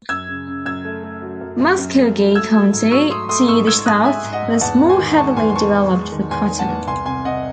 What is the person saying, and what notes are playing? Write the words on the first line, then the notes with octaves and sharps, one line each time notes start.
Muscogee County, to the south, was more heavily developed for cotton.
F#2 E6 G#6
C#3
C#3
F#2 E6 G#6
A3
A3
F#3
F#2
F#2
F#2
A3
F#3
A3 E6 G#6
F#3
G#2
F#3 C#6 E6
A3 C6 D#6
A3 C6 D#6
G#2 C#6 E6
G#2 E6 G#6
G#2 D#6 F#6
G#2 E5 G#5
G#2
D#5 F#5
G#2
E2 F#5 A5
G#3
G#5 C6
D#3
G#3 A5 C#6
E2 G#5 C6
C6
E2 A5 C#6
G#3
G#3
D#3
E2 G#5 C6
D#3
F#5 A5
E2
C2 G#5 C6
C3 G#5 C6
C3 D#5 F#5